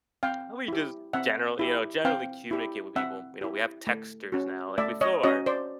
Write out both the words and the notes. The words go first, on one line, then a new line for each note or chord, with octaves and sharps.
How we just generally, you know generally communicate with people. You know, we have texters now, like, before,
C4 F5 G5
E4 G4
C4 E5 F#5
E4 G4
C4 F5 G5
E4 G4
C4 E5 F#5
E4 G4
A3
C#4 F#4
A3 D5 E5
C#5 D#5
C#4 F#4 C#5 D#5
C5 D5